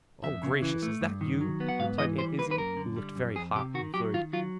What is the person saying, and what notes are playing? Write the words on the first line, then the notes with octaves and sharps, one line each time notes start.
"Oh, gracious! is that you?" replied Aunt Izzie, who looked very hot and flurried.
F2 E5
C#3
E3
A3
G2
D#3
F#3
B3
F#5
G#2 F5
E3 D#5
G3 C5
A#3 B4
B4
F#2 A#4
D3
G3
F#2
F2 G#4
C3 G4
D#3 F#4
F#3 G4
D#3 F4
F#3 F4